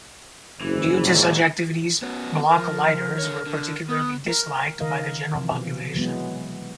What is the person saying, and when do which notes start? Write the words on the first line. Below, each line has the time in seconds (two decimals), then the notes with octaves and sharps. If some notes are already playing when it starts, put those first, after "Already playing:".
Due to such activities, "Blockleiters" were particularly disliked by the general population.
0.61 F#1 E2 C3 E3
1.03 A#2 F#3 G#3
2.02 B3 C#4 F#4
2.45 A#4
2.58 F3
3.18 D3 C#5
3.46 D3
3.89 B3 D#6
4.28 A#4
4.80 D#3 A#4 D#5 F5
5.35 C3 E3 F3
5.51 B2
5.96 E3 F#3 G#3 B3